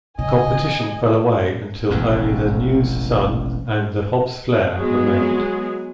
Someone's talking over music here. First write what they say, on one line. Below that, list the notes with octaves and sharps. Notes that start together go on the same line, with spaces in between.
Competition fell away until only the News-Sun and the Hobbs Flare remained.
C#3 D#5 G#5
E1 A1 F2
F#3 G#3 B3 G#4